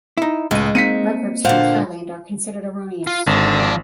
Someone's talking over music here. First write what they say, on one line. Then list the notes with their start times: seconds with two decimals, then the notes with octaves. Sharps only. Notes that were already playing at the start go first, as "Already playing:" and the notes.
Records from Thailand are considered erroneous.
0.17 D#4 E4
0.51 C#2 A2 G#3 D#5
0.75 A#3 C4 D#4 B6 C#7 D#7
1.45 A#2 D3 C5 F5 F#5
3.07 F4
3.27 G#1 D3
3.60 F3 D5